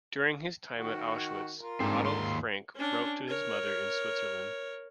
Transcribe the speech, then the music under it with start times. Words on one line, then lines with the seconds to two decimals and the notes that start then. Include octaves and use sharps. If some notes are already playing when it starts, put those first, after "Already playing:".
During his time at Auschwitz, Otto Frank wrote to his mother in Switzerland.
0.76 D#3 F#4
1.59 F4 A#4
1.80 G#2 C4 D4
2.04 D#2 C6
2.75 C#4 D4
3.28 A#4 C#5